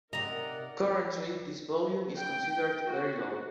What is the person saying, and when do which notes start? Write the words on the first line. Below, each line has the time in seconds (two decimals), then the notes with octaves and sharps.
Currently, this volume is considered very low.
0.13 C3 D#4 A#4 D5 D#5 F#5 A#5
2.17 G5
2.86 F#4